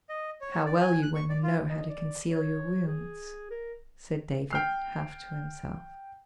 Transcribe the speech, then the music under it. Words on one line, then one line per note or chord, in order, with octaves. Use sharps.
"How well you women know how to conceal your wounds," said David, half to himself.
D#5
C#5
C#5
D5
G#5
F#6
C#6
D5
F4
D#5
D5
C#5
G#4
A#4
G5 F6 C7